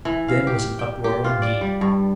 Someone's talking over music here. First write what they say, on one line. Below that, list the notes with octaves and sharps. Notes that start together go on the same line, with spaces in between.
Then was an uproar indeed.
E3
F5
G4
G5
G4
F4
D5
G3
G2